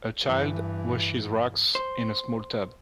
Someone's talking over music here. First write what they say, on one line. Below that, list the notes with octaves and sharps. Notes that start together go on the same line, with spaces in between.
A child washes rocks in a small tub.
G2 E3
C5